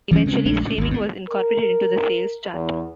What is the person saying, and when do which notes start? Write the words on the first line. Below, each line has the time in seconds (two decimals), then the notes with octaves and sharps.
Eventually, streaming was incorporated into the sales chart.
0.11 E3 G3 C4 C#4
0.26 C#3 G#3 C4
0.45 A#1 G#3 A3 D4
0.61 C#2 A2
0.78 G#1 D#2
0.91 A2 B3
1.29 A#4
2.54 E2